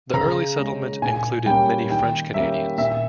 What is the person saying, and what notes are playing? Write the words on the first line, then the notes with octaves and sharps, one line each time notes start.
The early settlement included many French-Canadians.
C#3 A#5
G#3 C#4
A#2 G#5
G3 A#3 C#4 G5
D#3 G5
G3 A#3 C#4 E5
A#2 E5